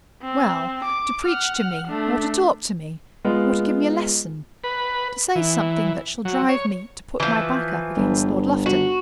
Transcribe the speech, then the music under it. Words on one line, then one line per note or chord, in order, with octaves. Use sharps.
"Well, to preach to me, or to talk to me, or to give me a lesson; to say something that shall drive me to put my back up against Lord Lufton?"
C4
D6
F#5 F6
A3 D4
G#3 B3 F4
B4
E3
F#3
C#5
E3 F3
G1
F#4